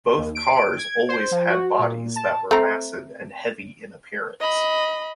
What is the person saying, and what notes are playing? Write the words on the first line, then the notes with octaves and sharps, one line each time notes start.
Both cars always had bodies that were massive and heavy in appearance.
D#2
D7
G#6
C5
F3
F#4
A#2
A5
A3 C4 A#5
D#5 B5